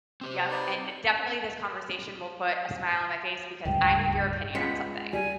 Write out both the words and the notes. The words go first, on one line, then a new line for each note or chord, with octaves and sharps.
Yep, and definitely this conversation will put a smile on my face because I need your opinion on something.
C4 G4 C5
D#4 B4 D5
D1 C#2 G2 G5
G#3 B3 C#4 F4 B6 C#7
D#2 G3 G#5